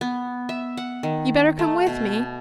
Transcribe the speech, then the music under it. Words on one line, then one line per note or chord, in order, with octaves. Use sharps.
You'd better come with me.
B3
E5
F#5
D#3
A3
B2